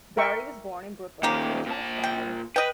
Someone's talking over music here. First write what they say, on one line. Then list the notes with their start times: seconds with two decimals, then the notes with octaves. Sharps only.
Barry was born in Brooklyn to a Jewish family.
0.17 A#4 E5 G5 C#6
1.23 A#2 D#3 A#3 G4
1.66 A#2 A5
2.03 G5
2.56 B4 D#5 G5